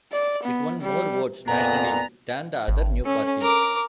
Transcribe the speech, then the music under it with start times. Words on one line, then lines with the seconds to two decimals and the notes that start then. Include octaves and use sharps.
It won more votes nationally than the other new parties.
0.13 D5
0.43 B3
0.82 G3
1.48 F2 A#2 B3 D5 F#5 G#5 A#5
2.68 G#1
3.05 C#4 A4
3.41 A#4 D6